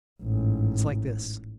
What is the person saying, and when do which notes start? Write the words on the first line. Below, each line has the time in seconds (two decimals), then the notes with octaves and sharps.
It's like this.
0.22 A1 G#2